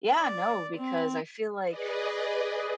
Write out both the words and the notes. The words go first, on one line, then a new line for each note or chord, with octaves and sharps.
Yeah, no, because I feel like,
D5
C4
G#4 B4 D5 D#5